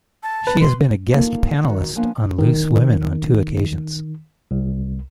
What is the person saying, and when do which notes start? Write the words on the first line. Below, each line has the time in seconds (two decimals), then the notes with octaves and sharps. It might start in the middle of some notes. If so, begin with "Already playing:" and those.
She has been a guest panellist on "Loose Women" on two occasions.
0.23 A5
0.47 B4
0.61 C6
1.14 A#3 D#4 F4 A4
1.67 D#3 F#4
1.96 F3 A#3 B3 D4 F5 G#5
2.39 D#3
4.51 C2